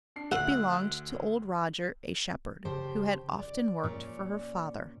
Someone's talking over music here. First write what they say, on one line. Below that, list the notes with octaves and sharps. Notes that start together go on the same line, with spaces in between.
It belonged to old Roger, a shepherd, who had often worked for her father.
D4 C7
D2 F#5 E6
C#3 G4 C5 A5
D5
A#2 C#4 D5